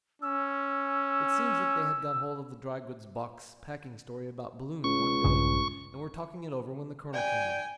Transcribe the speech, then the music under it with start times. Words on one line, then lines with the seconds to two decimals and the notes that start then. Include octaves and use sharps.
It seems that they had got hold of the dry-goods box packing story about Balloon, one day, and were talking it over when the Colonel came in.
0.22 C#4 E6
4.84 C#2 C#6
5.24 A#1 G2 C#3
7.14 D5 G5 G#5